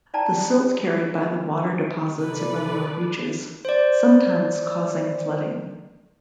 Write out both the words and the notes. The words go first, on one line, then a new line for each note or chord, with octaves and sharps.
The silt carried by the water deposits in the lower reaches, sometimes causing flooding.
D#4 D5 G5 A5 A#5
C3 D#4 A4 B4 D5
C5 D5